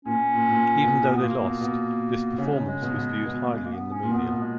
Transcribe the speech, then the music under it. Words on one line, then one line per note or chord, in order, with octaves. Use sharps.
Even though they lost, this performance was viewed highly in the media.
A#2 C#4
A#2
A#2
B2
B2
B3
A#2 A#3
B2
B2
C#3 A#3
G#3
C#3
G#3
B2
B2
B2
A#3
G#3
A#3
B3
C#4
A#2
B2 B3
B2
G#3